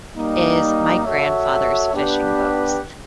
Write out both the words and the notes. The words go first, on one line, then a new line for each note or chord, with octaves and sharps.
is my grandfather's fishing boat.
G3 A#3 D#4
F#4 A4 C#5 E5
B3 D4 G4 B4